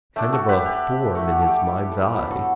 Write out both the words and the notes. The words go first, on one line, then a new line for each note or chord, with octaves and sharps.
Kind of a form in his mind's eye.
A3 D4 E5 G5
F#4 A4
G4 B4
G4
A3 E4 F#4
G4
A4
G4
G4
A4
G4 B4
F#3 B3 D4 G4 B4
F#4 A4